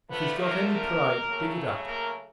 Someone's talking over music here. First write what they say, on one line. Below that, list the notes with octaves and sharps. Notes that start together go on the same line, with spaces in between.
If he's got any pride, dig it up.
D3 F3 A3 B3 B4
A#3 A#4
A#3 A#4
C#3 F#3 A3
A#3 A#4